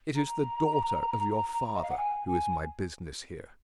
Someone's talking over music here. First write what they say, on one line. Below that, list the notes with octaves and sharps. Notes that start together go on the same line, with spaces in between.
"It is the daughter of your father who is my business here."
A#5
D#5
F5
F#5
G#5
G#5